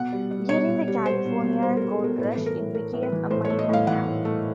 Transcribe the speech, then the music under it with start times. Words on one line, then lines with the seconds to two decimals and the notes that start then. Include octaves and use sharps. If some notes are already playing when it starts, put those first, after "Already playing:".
During the California Gold Rush, it became a mining camp.
Already playing: B2 F#5
0.12 G3
0.31 G3
0.49 B2 C#5
0.69 B2
0.88 G3
1.06 G3 C5
1.25 B2
1.43 B2
1.62 G3 C5
1.77 A#4
1.82 G3
1.91 A4
1.99 B2 A#4
2.18 A2 B4
2.36 E3 A4
2.46 A#4
2.57 A2
2.75 A3 A#4
2.93 A2
3.03 B4
3.12 E3
3.31 A2 C5
3.45 C#5
3.50 A3
3.59 D#5
3.69 A2 F5
3.87 E3 F#5
4.06 A2
4.25 A3